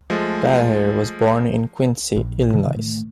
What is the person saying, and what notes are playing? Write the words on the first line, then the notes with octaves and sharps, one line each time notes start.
Gallaher was born in Quincy, Illinois.
F3 G#3 A3
A#1
C3 D#3 E3
A2 A3